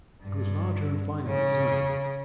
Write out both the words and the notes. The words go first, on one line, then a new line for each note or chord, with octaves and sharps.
It was larger and finer than his own.
G2
C#3